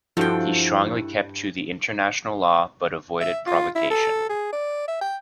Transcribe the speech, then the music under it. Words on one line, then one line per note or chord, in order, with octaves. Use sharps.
He strongly kept to the International Law but avoided provocation.
G2 F3 E4 F#4 A4 G5
E5
F4
E4
A4
G#4
D5
E5
G5